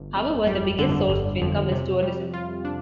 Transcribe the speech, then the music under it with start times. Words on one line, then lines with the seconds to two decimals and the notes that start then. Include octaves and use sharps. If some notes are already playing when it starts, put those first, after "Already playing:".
However, the biggest source of income is tourism.
Already playing: G1
0.16 F2
0.47 G3
0.78 D3
1.09 G1
1.41 F2
1.72 C3
2.02 G3
2.34 F4
2.65 D4